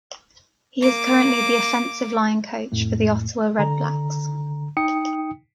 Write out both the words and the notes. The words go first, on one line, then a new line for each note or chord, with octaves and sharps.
He is currently the offensive line coach for the Ottawa Redblacks.
A#3 D6
F2 A2 A3
D3 A#5
D#4 G5 D#6 C#7